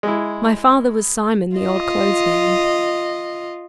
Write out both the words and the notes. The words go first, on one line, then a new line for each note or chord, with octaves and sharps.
My father was Simon the old clothes-man.
G#3 E4
F4 D#5